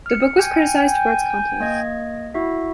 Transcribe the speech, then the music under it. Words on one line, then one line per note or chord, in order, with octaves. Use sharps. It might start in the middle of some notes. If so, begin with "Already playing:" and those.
The book was criticized for its content.
F6 C#7
G5 G#5
A#3 D#5 G#6
E4 F#4 E5